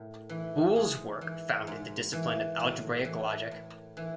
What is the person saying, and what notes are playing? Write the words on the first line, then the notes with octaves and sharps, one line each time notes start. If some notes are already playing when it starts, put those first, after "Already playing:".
Boole's work founded the discipline of algebraic logic.
Already playing: A2
E3
G#2 G#4
E3
G#2
E3
A2 F#4
E3
A2
E3